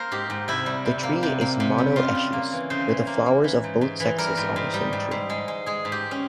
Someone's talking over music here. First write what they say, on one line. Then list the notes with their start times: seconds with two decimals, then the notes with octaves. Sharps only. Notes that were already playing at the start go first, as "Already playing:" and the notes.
The tree is monoecious, with flowers of both sexes on the same tree.
Already playing: A#3 A#4 C5
0.12 G#2 G4
0.30 G#2
0.48 C3 E4
0.66 G3
0.86 C3
1.03 A#3
1.23 C3
1.41 A#3
1.60 C3
1.78 G3
1.96 C#3 F4
2.15 C#3
2.33 A#3
2.52 E3
2.70 C#3 C5
2.88 E3
3.07 A#3
3.26 A#3
3.44 E3
3.64 G#2
3.81 G#2
4.00 E3
4.18 G3 A#4
4.37 G#2
4.56 G#2
4.74 G3
4.93 G#2
5.11 G#2
5.30 G#3
5.48 G#3
5.66 G#3 G#4
5.85 G#2
5.92 G4
6.11 C#4